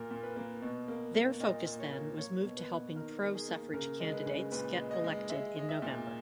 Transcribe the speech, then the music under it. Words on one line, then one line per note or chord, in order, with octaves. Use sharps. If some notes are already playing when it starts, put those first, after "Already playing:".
Their focus then was moved to helping pro-suffrage candidates get elected in November.
Already playing: A#2 A#4
A#2
B4
A#3
B2
A#3
A#3
A#2 D#5
A#2
C#5
A#3
A#3 C#5
B2
B4
B2
D#3 A#4
D#3
G#4
A#3
C#3 A#4
G#3
B4
C#3
A#2 B4
G#3
D#5
G#3
G#3 E5
G#3 D#5
E5
A#2